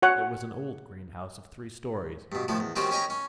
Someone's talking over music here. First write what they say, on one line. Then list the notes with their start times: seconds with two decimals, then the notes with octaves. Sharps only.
It was an old green house of three storeys.
0.02 F#4 C#5 F#5
2.32 G2 B2
2.48 A2 D#3 F3 A4
2.60 E2
2.76 D#3 G3 C4 C#4 F#4 G4
2.91 C#4 G4 D#5 G5 G#5 A#5
3.10 C#4